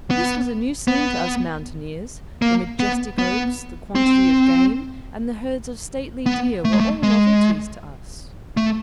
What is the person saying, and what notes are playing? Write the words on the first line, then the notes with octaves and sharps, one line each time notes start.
This was a new scene to us mountaineers; the majestic oaks, the quantity of game, and the herds of stately deer were all novelties to us.
B3
B3
A#3
B3
B3
C4
B3
A3
G#3
A3
G#3
A3